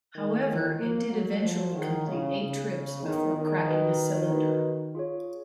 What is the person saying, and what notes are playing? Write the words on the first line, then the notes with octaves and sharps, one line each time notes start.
However, it did eventually complete eight trips before cracking a cylinder.
D#3
D#3 F4 A#4 C#5
A#3
F#3 G#4 C#5 F#5
F3
D#3 G#4 C#5 F#5
C#3
C#3 B3 D#4 G#4
D#3 B3 D#4 G#4
D#3
D#4 F#4 B4 D#5
D#4 F#4 B4 D#5
F4 G#4 C#5